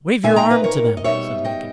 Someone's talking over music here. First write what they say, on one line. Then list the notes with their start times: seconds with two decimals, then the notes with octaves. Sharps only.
"Wave your arm to them," said Lincoln.
0.23 A#2 A#3 D#4 E5 G#5
0.36 G5 A#5
0.50 B4 D#5
0.64 A#4 C#5
0.97 D#5
1.04 B2 G3 B3 D#4 C#5 E5
1.44 D#5 G5